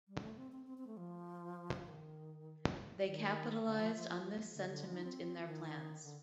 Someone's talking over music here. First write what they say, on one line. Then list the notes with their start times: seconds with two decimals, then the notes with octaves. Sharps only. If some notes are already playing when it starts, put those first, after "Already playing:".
They capitalized on this sentiment in their plans.
0.08 G3
0.22 A3
0.37 C4
0.52 C4
0.67 C4
0.78 C4
0.87 A3
0.97 F3
1.86 D#3
3.05 D#3
3.65 D3
3.79 F3
3.95 F3
4.54 D3
4.69 D3
4.84 F3
4.93 D#4
5.03 C4
5.43 D#3
6.03 D3